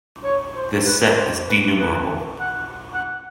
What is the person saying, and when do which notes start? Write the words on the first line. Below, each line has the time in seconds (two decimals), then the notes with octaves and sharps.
This set is denumerable.
0.24 C#5
0.55 C5
0.87 B4
1.17 C5
1.48 B4
1.79 B4
2.40 F#5
2.94 F#5